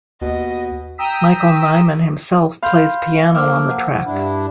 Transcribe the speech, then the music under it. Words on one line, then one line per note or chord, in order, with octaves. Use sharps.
Michael Nyman himself plays piano on the track.
D#2 B2 D#5
G5 A#5 D#6 E6 B6
F5 B5 C6 G6
F3 A#3 D6 E6 F6
F#5
G2 D4 E4